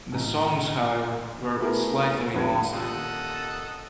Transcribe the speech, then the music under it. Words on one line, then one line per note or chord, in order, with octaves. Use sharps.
The songs, however, were slightly remastered.
A1 A#5
A3 B3 E4 F#4 G#4 A#4
F2 D3 G3 B4 F#5 G#6
D#1 A#2 A4 D#5 F5 F#5